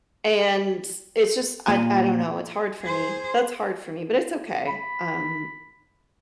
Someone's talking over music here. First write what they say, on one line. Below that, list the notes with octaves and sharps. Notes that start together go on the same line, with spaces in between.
and it's just I I don't know, it's hard for me; that's hard for me. But it's okay. Um
A#2
G#4 C5
B5